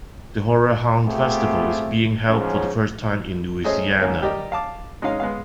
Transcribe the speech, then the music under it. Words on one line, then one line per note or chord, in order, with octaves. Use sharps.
The Horror Hound festival is being held for the first time in Louisiana.
A3 B3 C4 F4 G4 G#4
G#2 C#3 F3 C#4
F#3 A3 C#4 G#4 C5 D#5
G#2 A#3 C#4
G3 G4 A#4 D5 D#5
F5 A5 D6
G#3 C#4 D#4 F5
G#3 B3 F5